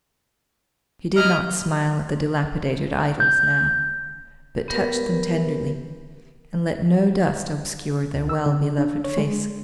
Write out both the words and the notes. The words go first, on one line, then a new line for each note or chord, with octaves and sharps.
She did not smile at the dilapidated idols now, but touched them tenderly, and let no dust obscure their well-beloved faces.
E4 D#5 A#5 F6
G6
B3 G4 A#4 B4 C#5
C#2
E6
D3
D4
C#5
G#3